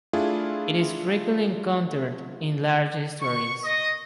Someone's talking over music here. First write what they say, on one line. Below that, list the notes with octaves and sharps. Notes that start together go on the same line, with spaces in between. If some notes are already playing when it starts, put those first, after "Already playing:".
It is frequently encountered in large estuaries.
A3 D4 E4 F4 G#4
C#6
D#5